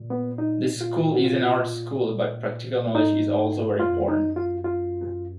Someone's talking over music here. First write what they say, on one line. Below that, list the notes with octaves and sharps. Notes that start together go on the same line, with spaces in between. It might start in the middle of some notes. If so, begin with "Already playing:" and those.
The school is an art school but practical knowledge is also very important.
Already playing: A#2
B3
D#4
F4
F#4
F4
G#2 D#4
F#2 F4
F2
F#2
D#4
F4
F4